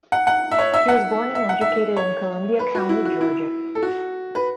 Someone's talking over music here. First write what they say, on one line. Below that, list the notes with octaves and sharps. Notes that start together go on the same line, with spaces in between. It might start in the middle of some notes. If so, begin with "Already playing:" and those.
He was born and educated in Columbia County, Georgia.
F#5
F#5
E5
C#5
E5
F#5
E5
F#5
E5
C#5
B4
F#4
E4
F#4
E4
A4
F#4
B4